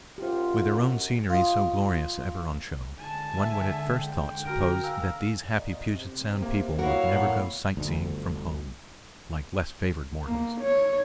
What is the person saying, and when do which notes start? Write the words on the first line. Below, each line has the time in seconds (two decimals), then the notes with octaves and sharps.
With their own scenery so glorious ever on show, one would at first thought suppose that these happy Puget Sound people would never go sightseeing from home like less favored mortals.
0.18 F#2 F4 G4 C5
1.30 F4 D#5
2.98 D3 G#3 G#5 A5
3.39 E5
3.96 G5
4.45 F#4 A#4 F6 D7
4.84 F5 G#5 E6
5.54 A#2 D#5
5.90 C3
6.42 A#3
6.79 E4 F#4 A#4 C#5 F5
7.12 A2 A#3 B3 F#5
7.77 G1 D2
10.26 A#3
10.61 C#5